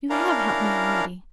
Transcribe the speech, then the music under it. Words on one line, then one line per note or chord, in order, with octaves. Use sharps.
You HAVE helped me already.
C#4 D4 E4 A#4 F5 A#5